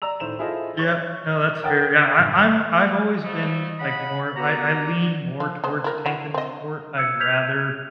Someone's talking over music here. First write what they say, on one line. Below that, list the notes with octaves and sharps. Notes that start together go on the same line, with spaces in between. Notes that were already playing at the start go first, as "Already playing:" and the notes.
Yeah no, that's fair, yeah, I I I'm I've always been, like, more I I lean more towards tank and support; I'd rather,
D5 A#5 E6 F7
A2 D#3 C5 E7 F7
E4 F4 G#4 A4 C5 D#5
C#5 C#6 G7
A#4 C#5 F#5 G5 D#6 A6
G1
G3
F3 G3 A3 D#5
C#3 F#5 B5
B3 F#4 G4 A#5
D5
F3
G#3 B3 C5
E4 A#4
E4 F#4
C4 D#5
E6 G#6 C#7
F6 G6 G#6 B6 F7